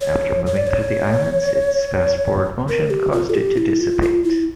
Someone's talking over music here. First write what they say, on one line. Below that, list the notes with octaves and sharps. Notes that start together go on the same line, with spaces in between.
After moving through the islands, its fast forward motion caused it to dissipate.
C#5
C#5
D5
C#5
A#4
G4
F4
A4
G4
E4
F4
F4
E4